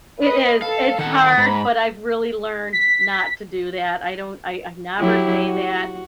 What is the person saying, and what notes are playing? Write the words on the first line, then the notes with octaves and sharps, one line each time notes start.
it is, it's hard, but I've really learned not to do that, I don't I I never say that,
B4 D#5
A4 F5
D#3 F#5
G#2 B5
B6
F#3 E4 G4
F#4